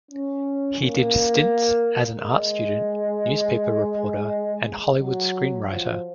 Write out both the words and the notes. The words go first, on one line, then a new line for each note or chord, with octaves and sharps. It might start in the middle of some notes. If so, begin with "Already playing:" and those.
He did stints as an art student, newspaper reporter and Hollywood screenwriter.
C#4
A#3
G#3
F#3
F3